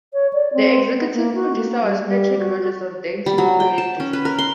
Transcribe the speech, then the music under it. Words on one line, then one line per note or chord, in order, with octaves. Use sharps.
The executive producer was Patrick Rodgers of Dancing Ferret Discs.
C#5
D5
C4
B3
A#3
F#4
A#3
G3
G3
F#4
F#4
G3
F#3
G5
A5
C#4
B4
A#4
C6